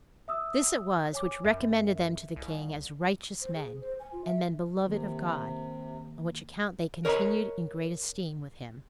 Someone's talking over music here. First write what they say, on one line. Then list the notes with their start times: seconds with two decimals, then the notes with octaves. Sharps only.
This it was which recommended them to the king as righteous men, and men beloved of God, on which account they continued in great esteem with him.
0.28 E5 D#6 E6
1.13 C#5 G#5 D6
1.45 F#2 E5
2.36 C2
3.42 C5
3.54 G#4
3.81 C5
4.00 G#5
4.12 F4
4.25 E5
4.87 C3 D#3 A#3
7.05 A#4 C#5 D#5 A#5 B5